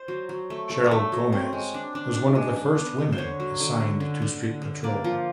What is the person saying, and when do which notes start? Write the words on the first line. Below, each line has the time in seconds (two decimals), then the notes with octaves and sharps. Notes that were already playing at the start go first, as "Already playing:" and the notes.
Cheryl Gomez was one of the first women assigned to street patrol.
Already playing: C5
0.08 F#3
0.29 F#3
0.50 A3
0.70 A3
0.91 A3
1.12 F#3
1.32 C4
1.53 G#3
1.74 D4
1.95 D4
2.15 D4
2.35 G#3
2.56 D4
2.78 B3
2.98 B3
3.12 C5
3.18 D3 C#5
3.40 F#3
3.60 D3
3.80 D3
4.00 D3
4.22 D3
4.43 D3
4.62 D3
4.83 A#3 D5
5.04 F3